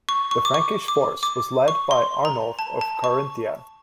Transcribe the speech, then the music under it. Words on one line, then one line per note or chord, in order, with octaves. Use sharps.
The Frankish force was led by Arnulf of Carinthia.
C#6
C#6
D6
C#6
D6
D6
C#6
C6
A#5
A5
A5
C#6